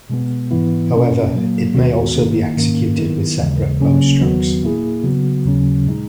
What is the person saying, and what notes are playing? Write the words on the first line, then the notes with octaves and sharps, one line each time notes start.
However, it may also be executed with separate bow strokes.
B2 G#3 B3
G#2 E3 B3 E4
B2 A#3 C#4
A#2 F#3 A#3
D#2 D#3 G#3 B3 F#4
D#3 A#3 D#4
G#2 D#3 A#3 C#4
D#3 F#3 B3 E4
D#2 C#3 E3 G#3
C#3 F#3 A#3 C#4
E2 D#3 F#3 B3 F#4
A#2 A#3 E4 G#4
C#3 F#3 B3 F#4
D#2 C#3 F#3 C#4
A#2 G#3 D#4